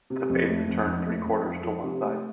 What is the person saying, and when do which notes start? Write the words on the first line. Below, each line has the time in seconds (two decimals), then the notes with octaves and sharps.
The face is turned three-quarters to one side.
0.10 C3
0.30 F2
0.49 A3
0.68 F2
0.87 F2
1.06 A3
1.25 F2
1.45 F3
1.64 F3
1.83 C3
2.03 A3